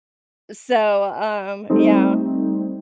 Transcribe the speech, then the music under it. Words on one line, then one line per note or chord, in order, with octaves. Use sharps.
So, um, yeah.
G3 A3 C4 D#4